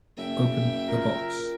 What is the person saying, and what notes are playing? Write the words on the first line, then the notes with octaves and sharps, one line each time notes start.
Open the box.
F#1 E5 G5
F4 A#4